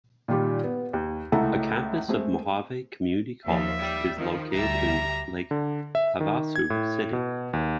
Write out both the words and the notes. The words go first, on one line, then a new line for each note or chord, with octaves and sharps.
A campus of Mohave Community College is located in Lake Havasu City.
A#2 D#3 G3 F4 G4
B3
D#2
C#2 A3 E4 A4 F#5 A#5
G#3 A3 C4 G#4
D#2 F3 E5
G3
D#3 F3
D2 G3 E5 A#5
D3
E5
D#3
G#6
A2
B2
D#2